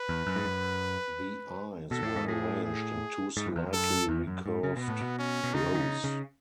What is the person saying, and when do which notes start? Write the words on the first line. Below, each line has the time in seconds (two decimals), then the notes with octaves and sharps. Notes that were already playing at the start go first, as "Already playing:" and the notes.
The eyes were arranged in two slightly recurved rows.
Already playing: B4
0.09 E2
0.27 F#2
0.36 G#2
0.45 F#2
1.91 B2 A4
2.03 A2
2.16 G#2
2.27 A2 G#4
2.64 G#4
3.37 G#2
3.46 F#2
3.56 E2
3.66 F#2
3.73 A4
4.09 E2
4.27 F#2
4.46 G#2
4.63 C#3
4.76 B2 B3
4.88 A2
5.01 B2
5.19 C#4
5.44 B2
5.54 C#3 D#4
5.74 D#3
5.79 C#3
6.04 C#3